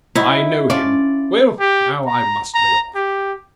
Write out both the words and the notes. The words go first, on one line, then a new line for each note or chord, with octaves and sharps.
I know him. Well, now, I must be off.'
F#3 D#4 E4 B5
C#4 D4 F4 D5
G4
A#5
A#5
G4